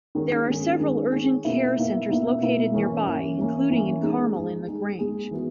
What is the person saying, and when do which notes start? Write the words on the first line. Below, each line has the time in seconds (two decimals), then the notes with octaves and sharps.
There are several urgent care centers located nearby including in Carmel and LaGrange.
0.15 D#3 G#3 C#4 G#4
0.48 D#3 G#3 C#4 G#4
0.79 D#3 G#3 C#4 G#4
1.12 D#3 G#3 C#4 G#4
1.45 B2 A#3 E4 B4 E5
1.77 B2 A#3 E4 B4 E5
2.09 B2 A#3 E4 B4 E5
2.41 B2 A#3 E4 B4 E5
2.74 E3 A#3 C#4
3.06 E3 A#3 C#4
3.38 E3 A#3 C#4
3.70 E3 A#3 C#4
4.02 G#3 D#4 G#4
4.35 G#3 D#4 G#4
4.67 G#3 D#4 G#4
4.99 G#3 D#4 G#4
5.31 E3 B3 F#4